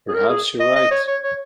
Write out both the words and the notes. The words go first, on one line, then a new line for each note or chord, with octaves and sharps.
Perhaps you're right.
G#4
A#4
G#4
D#5
D#5
C#5
C#5
C#5